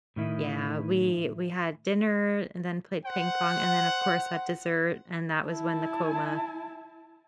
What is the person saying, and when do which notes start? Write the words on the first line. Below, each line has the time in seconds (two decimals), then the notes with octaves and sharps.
Yeah, we we had dinner and then played ping pong and then, of course, had dessert, and that was when the coma
0.16 A2 D#3 E4
3.05 C5 F#5
5.48 E4 A5